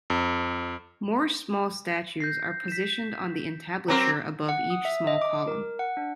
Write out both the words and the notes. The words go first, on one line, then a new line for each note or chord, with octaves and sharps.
More small statues are positioned on the entablature above each small column.
F2
G6 A#6 C7
B6 E7
F#3 C4 A#4 A#5 D6 C7
F#5
D#6
E5
D#5
D6
A#4
F#5
D4